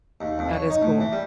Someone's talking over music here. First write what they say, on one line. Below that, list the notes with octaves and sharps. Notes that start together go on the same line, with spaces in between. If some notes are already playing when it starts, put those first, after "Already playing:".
That is cool.
D#2
F2
C#5
D#4
A2
E3
G3